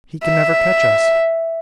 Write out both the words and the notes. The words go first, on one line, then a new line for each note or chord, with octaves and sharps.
He can never catch us.
E5